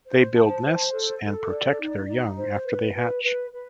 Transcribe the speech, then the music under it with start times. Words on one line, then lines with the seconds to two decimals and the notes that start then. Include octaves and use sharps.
They build nests and protect their young after they hatch.
0.06 C5
0.35 A5
0.64 C5
0.92 A4
1.22 A4
1.51 D5
1.80 D#4
2.08 D#4
2.37 C5
2.65 B4
2.95 B4
3.24 B4
3.53 B4